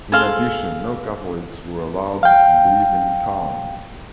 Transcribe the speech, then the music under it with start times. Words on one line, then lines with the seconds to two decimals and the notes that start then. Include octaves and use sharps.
In addition, no Catholics were allowed to live in towns.
0.12 G#4 A4 F5 C6
2.23 F5 G5